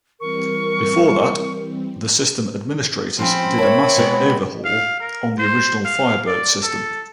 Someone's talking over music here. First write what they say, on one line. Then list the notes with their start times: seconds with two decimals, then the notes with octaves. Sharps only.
Before that, the system administrators did a massive overhaul on the original Firebird system.
0.20 E3 G3 C4 A#4 C#6
3.19 F3 C4 C#4 B5
3.58 A#4 C#5 E5 A5
3.97 B2 G#3 B3
4.65 F5
5.01 A#4
5.39 C5
5.85 F5
6.28 D5
6.63 A4